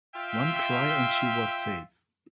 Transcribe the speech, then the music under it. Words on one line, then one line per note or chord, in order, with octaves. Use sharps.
One cry and she was safe.
F4 E5 G5